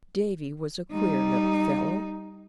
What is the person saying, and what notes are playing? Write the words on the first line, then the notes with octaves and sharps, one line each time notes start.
Davy was a queer little fellow.
G3 D#4